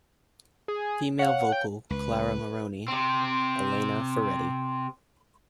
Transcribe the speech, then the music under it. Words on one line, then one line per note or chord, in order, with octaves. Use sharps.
Female Vocal: Clara Moroni, Elena Ferretti.
G#4
C#5 F5 F#5
G5
C#2 B4
C3 C4